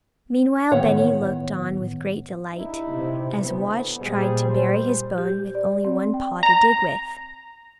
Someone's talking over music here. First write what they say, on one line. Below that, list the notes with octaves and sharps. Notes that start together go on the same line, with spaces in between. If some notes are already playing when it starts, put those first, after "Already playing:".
Meanwhile Benny looked on with great delight as Watch tried to bury his bone with only one paw to dig with.
A2 D#3 B3 C#5 F#5
G2 D#4 E4
C3
D2 A2 B3 C5
A#2 G3 G#4 C5 D#5
C5
G4
D5
C4
G5
A#5